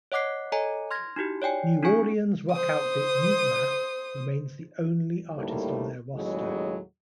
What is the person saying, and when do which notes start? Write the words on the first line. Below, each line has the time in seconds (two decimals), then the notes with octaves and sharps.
New Orleans rock outfit Mutemath remains the only artist on their roster.
0.12 C#5 D#5 F#5 D6 F#6 C7
0.52 A4 C#5 D#5 G#5 A#5
0.91 C6 F6 G#6 A#6
1.16 D#4 E4 F#4 G4
1.42 C#5 D5 G5 G#5
1.83 C#4 D#4 F4 G#4 G#5 C#6
2.52 C5 D#6
5.37 D2 A2 D#3 G3 A3 A#3
6.14 D#2 A2 C#3 F#3 G#3 D#5